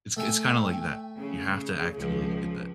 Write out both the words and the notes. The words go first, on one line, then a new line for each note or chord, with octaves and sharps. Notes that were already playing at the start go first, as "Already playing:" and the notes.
It's it's kinda like that; you have to actively get that.
A3 E5 G5 G#5
C#3 G#4
C#2 F3